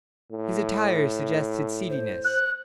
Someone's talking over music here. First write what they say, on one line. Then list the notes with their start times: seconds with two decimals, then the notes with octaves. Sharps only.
His attire suggested seediness.
0.32 A2
1.90 C5
2.25 F#6